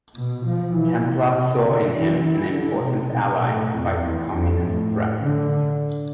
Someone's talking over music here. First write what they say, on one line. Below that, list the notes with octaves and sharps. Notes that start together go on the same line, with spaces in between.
Templar saw in him an important ally to fight the communist threat.
B2
F3
E3
C3
C3
D3
E3
E3
D3
C3
B2
A2
F2
E2
F2
A2
D3